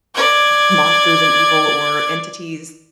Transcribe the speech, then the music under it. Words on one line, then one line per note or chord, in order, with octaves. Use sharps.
m monsters and evil or entities,
D5 G#6